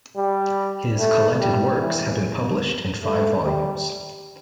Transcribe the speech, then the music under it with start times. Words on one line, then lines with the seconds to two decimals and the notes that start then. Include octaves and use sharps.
His "Collected Works" have been published, in five volumes.
0.16 G3
0.98 A3
1.40 G3
1.81 E3
3.03 A3
3.44 G3